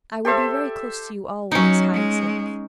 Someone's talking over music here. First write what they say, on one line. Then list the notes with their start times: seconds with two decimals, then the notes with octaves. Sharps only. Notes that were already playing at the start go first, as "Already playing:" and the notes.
"I will be very close to you always, Hyacinth."
0.25 G4 A4 C5 E5
1.52 F#3 C#4 D#4
1.94 G#3